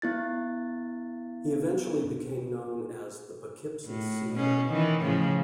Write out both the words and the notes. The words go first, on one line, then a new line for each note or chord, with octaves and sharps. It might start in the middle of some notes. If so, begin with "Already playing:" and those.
He eventually became known as "the Poughkeepsie Seer".
B3 E4 A6
A2
B2 C#4
D#3 E3
A2 C#3 F3